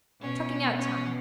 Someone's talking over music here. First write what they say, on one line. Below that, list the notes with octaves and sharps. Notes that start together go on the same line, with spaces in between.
Chuckingout time.
B2 C#4
C#4